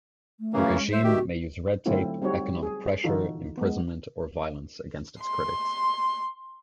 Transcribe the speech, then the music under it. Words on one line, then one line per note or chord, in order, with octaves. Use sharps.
The regime may use red tape, economic pressure, imprisonment or violence against its critics.
A3
C#3 E3 A#3 C#4
G#3
C5 E5
D#3 F#4 G4
D3 F#3 A3 C4 E4 F4
G3 C4 D#4 F#4 C#5
G#4
D3 E3 D#4 F4 F#4 A4
G#3 B3
C6